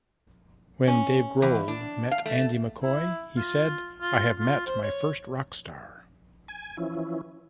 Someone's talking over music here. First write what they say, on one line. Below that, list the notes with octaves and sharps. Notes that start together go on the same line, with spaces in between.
When Dave Grohl met Andy McCoy he said I have met my first Rockstar.
C#4
E2
D4
F5
A3
E4
F4
F4
F4
C5
C#5
G#5
E3 F3 C#4 E4